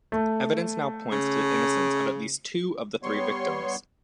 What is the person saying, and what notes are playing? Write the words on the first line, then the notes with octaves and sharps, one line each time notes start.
Evidence now points to the innocence of at least two of the three victims.
A3
C#3
G3 B3 C#5 C6 C#6